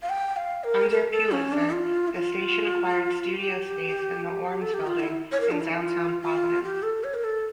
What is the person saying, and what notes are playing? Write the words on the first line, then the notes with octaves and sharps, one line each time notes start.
Under Pulitzer, the station acquired studio space in the Orms Building in downtown Providence.
F5
G5
F5
A#4
A#4
A4
C#4
D4
F4
E4
F4
G4
A4
G4
F4
E4
C#5
A#4
D4
E4
F4
F4
G4
A4
C#5
A#4
A4